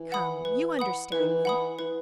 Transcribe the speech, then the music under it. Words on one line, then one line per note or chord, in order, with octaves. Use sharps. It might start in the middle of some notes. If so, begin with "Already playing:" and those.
"Come, you understand me."
Already playing: E3
F#5 B5 D#6
B4
F#5 B5 D#6
E3 B4
D#3
E3
F#5 B5 D#6
E3 B4